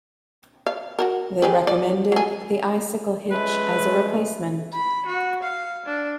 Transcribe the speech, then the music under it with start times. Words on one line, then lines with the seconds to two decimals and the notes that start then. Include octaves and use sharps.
They recommended the Icicle hitch as a replacement.
0.66 F5
0.99 F#4 G4 A#4
1.42 G4 G#4 B4
1.67 D5
2.12 F#3 G#4
3.31 F3 G#3 A3 C#4 B4
4.73 B5
5.06 F#4
5.43 F5
5.86 D4